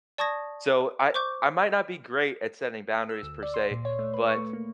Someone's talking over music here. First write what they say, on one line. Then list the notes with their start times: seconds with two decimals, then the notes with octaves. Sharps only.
so, I I might not be great at setting boundaries per se, but,
0.18 D5 A5 C#6 D#6 G#6 A#6
1.14 C5 C#6 D6 G6
3.09 E6
3.23 D2
3.43 D5
3.54 C6
3.71 A#2
3.85 C#5
3.99 A3
4.13 B4
4.25 C#6
4.38 A3
4.53 A#3